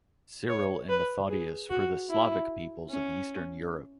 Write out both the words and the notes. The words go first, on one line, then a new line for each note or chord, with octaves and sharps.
Cyril and Methodius for the Slavic peoples of Eastern Europe.
C#5
B4
G#4
F#4
E4
C#4